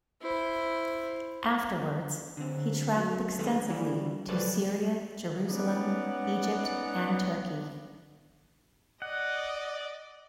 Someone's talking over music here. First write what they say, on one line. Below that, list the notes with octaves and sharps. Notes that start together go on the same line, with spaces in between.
Afterwards, he traveled extensively to Syria, Jerusalem, Egypt and Turkey.
E4 C5
D3 C4
F#3
D#3 G#3 A3 B3
E3 F3 G3 E4
C#2 F#3 A4 B4 C5 D5
B3 C#4 D#4 D5 F#5
D5 D#5 F#5